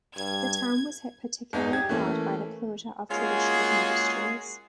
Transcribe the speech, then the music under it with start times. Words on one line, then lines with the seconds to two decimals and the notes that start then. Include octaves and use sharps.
The town was hit particularly hard by the closure of traditional industries.
0.17 G2 G#6
1.53 G#1 D#4 G#4
1.71 G4 G#6
1.89 E3 A3 A#3 C#4
3.11 G#3 A#3 C#4 F4 F#4 G#4